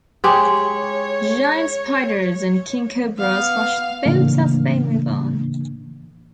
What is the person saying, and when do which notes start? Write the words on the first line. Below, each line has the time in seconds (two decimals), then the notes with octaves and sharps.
Giant spiders and king cobras watch the boats as they move on.
0.24 G#3 G4 C#5
3.19 B3 F5
4.05 A2 C#3 E3 A#3 D4